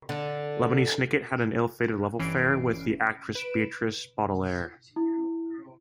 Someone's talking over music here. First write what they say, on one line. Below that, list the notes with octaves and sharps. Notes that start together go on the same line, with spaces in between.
Lemony Snicket had an ill-fated love affair with the actress Beatrice Baudelaire.
D3
G1 E3 C#4 C7 D7
B4 D7 E7
E4